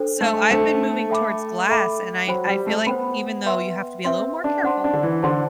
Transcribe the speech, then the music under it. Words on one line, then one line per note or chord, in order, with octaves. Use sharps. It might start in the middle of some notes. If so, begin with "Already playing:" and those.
So, I've been moving towards glass, and I I feel like, even though you have to be a little more careful,
Already playing: D4 A4 C5 G5
A3
A3 D4 A4 C5 G5
A4 E5 G5 B5 D6
A4 E5 G5 B5 D6
F#3 C5 G5 B5
G3
A3
B3 C5 G5 B5
B4 E5 G5 C6
C4 B4 E5 G5 C6
D4
D4 C5 F#5 A5 C6
D4
D3
E3
D3 C5 F#5 A5 C6